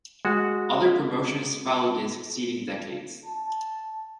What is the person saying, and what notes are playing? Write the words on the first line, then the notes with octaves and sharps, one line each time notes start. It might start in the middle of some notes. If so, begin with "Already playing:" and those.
Other promotions followed in succeeding decades.
G#3 F#4
A5